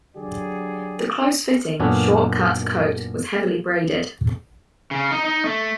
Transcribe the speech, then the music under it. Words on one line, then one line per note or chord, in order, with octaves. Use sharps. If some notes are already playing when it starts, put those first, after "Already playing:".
The close fitting, short-cut coat was heavily braided.
D3 F#3 G4 G#4 D5
F#2 A#2 B3 C#4 D4 A4
C#3
D#4
D#4
A3